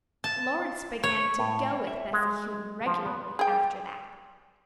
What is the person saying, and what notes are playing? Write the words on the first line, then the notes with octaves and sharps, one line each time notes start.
Lawrence began to "go with" Bessy Houghton regularly after that.
A5
C#5
A2
E5
G#3
F3
B3
G#4 G5